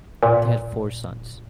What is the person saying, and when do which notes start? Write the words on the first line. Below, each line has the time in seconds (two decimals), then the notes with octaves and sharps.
They had four sons.
0.23 A#2